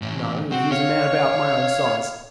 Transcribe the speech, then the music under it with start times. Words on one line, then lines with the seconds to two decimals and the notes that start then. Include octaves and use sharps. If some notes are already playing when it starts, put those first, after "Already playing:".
"No, he is a man about my own size."
0.02 A2 E3
0.52 C4 F#4
0.72 C#5 F5